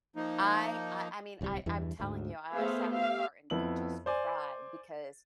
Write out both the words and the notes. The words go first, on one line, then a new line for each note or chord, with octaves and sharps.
I I I mean, I I'm telling you, I I sat in the car and cr just cried because
F3 A#3 D#4
D1 C2 B2 G3
E2 G2 E3
D2 G#2
A3 B3 G#4 C5 E5 F5
G4 E5 F5
F2 B3 E4 F#7
C5 D5 G#5